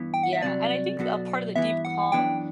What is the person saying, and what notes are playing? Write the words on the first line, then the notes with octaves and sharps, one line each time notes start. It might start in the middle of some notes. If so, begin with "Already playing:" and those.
Yeah, and I think a part of the deep calm,
Already playing: G2 E3 B3
G5
F#5
E5
C2 C3 F#3 D5
B2 F#3 B3 F#4 A4
G2 E3 B3 E5
F#5
F#2 E3 B3 D4 G5